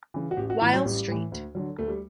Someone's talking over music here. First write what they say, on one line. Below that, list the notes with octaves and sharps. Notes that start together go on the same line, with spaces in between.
While St.
C#3 E3
F#4
A1 G4
F#4
A2 E3 E4
F#3
A1 G3
A2 E3
D2
D3 F#3
D2 A3
G3